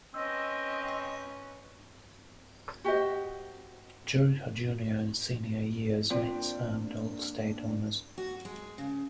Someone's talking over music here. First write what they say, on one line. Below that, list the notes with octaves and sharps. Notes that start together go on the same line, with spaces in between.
During her junior and senior years, Mitts earned all-state honors.
C4 C#4 B4 D#5 E6
F#4 G4 C5 D#5
A#3 C4 D4 F4 D5
F#4
G#3
C#3